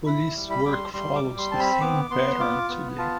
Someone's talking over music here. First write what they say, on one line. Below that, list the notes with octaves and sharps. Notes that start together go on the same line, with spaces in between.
Police work follows the same pattern today.
E4 B5
G3
B5
G3 D6
C6
G3 C6
D6
G3
C6
C4 A5
B5
B3 D6
B3 C6
F4 D6
B3
F4 A5